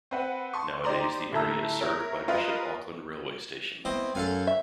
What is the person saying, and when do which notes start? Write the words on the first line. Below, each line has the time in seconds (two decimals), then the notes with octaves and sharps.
Nowadays the area is served by Bishop Auckland railway station.
0.11 C4 B4 F#5
0.53 A5 C6 C#6
0.84 D#4 G4 C5 D5 A#5 C6
1.32 A2 D3 E5 A5 A#5 E6
1.80 E4 A#4 C#5
2.28 F4 A#4 B4 D#5 F5
3.85 B2 C4 E4 D#5
4.15 F#2 A4 F5 G#5
4.47 E5